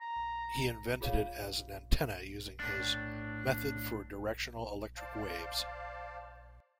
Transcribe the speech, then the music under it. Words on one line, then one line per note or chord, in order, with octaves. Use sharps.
He invented it as an antenna using his "method for directional electric waves".
A#5
F4 G#4 C#5 F5
A2 D4
C5 D5 F5 A5